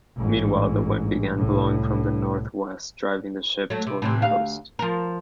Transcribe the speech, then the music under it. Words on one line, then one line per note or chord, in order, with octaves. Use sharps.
Meanwhile, the wind began blowing from the northwest, driving the ship toward the coast.
A1 G#2
C2 A2
F#3 A3
C3
A2 C3 E3
D2 F5
F3 A#4